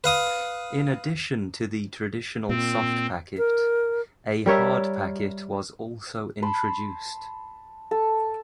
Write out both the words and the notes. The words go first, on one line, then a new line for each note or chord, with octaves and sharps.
In addition to the traditional soft packet, a hard packet was also introduced.
B4 F5 D#6
A#2 C4
A#4
G3 A#4 C#5 E5
A5 B5 C6
A4